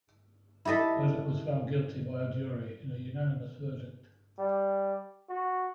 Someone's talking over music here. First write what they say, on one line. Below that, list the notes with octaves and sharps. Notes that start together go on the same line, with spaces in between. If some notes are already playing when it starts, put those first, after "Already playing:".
Murdoch was found guilty by a jury in a unanimous verdict.
E4 G4 A4 D#5 E5
G3
F#4